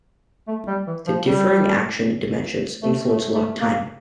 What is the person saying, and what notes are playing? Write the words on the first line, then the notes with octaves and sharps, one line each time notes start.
The differing action dimensions influence lock time.
A3
G3
E3
F3
G3
A3
A3
A3
A#3